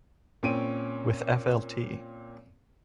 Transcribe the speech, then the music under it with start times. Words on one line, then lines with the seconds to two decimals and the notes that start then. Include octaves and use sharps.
With Flt.
0.43 A#2 C4 C#4 D7 D#7